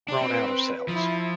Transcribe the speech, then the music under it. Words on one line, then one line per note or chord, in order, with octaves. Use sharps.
grown out of sales.
D4
C4 B4
F3 E4